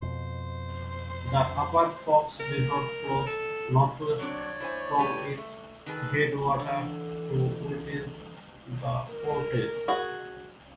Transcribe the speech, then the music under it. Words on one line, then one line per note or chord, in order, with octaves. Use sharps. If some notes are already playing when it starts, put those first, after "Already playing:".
The upper Fox River flows northwest from its headwater to within the Portage.
F2 B2 C5
A#4
A4
F#3 C4 D4 C#5 D5
E4 C5 G#5
A3 G4 B4
A3
D#3 G#4 A4 B4
D3 E3
A#4
F#4 G#4